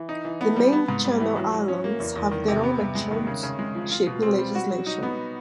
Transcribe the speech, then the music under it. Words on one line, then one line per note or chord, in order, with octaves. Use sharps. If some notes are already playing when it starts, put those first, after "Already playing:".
The main Channel Islands have their own Merchant Shipping Legislation.
Already playing: E3
D#4
E3
B3
G3
B3
G#2
G3
E3
F#3
F#3
C#4
A#3
E2
E2
D#3
C3
B3
G2
G#3
D#3
C#3
C#3
G#3
F3
F4
B2
C4
G3
F#4
F#3
D#4
B3